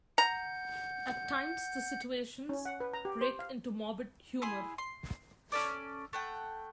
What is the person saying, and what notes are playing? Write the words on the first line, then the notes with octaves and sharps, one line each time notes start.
At times the situations break into morbid humour.
F#5 A#5 G6
C#4
F#5
B4
A#5
G4
C5
F5
E4 G#4 G#5 C6
C6
C#4 A4 D5
A3 F#5 G5